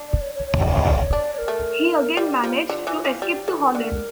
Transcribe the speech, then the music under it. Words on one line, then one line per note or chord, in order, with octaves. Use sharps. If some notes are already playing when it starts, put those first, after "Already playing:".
He again managed to escape to Holland.
Already playing: D4
D5
C#5
C#5
C#5
D5
C#5
D5
C#5
D4 D5
C#5
A#4
A3
G3 G4
F3 F4
E4
D3 F4
E3 F4
F3 E4
G3 F4
G4
E3 A4
A#4
D3 A#4